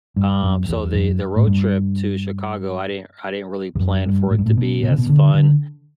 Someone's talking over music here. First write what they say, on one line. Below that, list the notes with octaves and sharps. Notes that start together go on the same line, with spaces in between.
um, so the the road trip to Chicago, I didn't I didn't really plan for it to be as fun
G2
F#2
E2
F#2
A2
G2
E2
F#2
G2
A2
G2
A2
B2
B2
C#3
B2
D3
D3